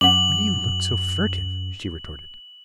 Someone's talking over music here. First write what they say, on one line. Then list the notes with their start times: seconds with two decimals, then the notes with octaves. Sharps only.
"Why do you look so furtive?" she retorted.
0.01 F#2 F#5 D6 F#7